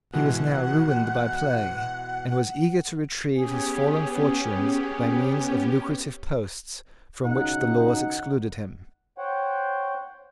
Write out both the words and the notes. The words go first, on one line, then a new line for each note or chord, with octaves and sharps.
He was now ruined by play, and was eager to retrieve his fallen fortunes by means of lucrative posts from which the laws excluded him.
B2 E3 G#3 F#5 F#6
B3 C#4 G4 G#4
C#2 B2 D#4 F#5
C5 C#5 F#5 G5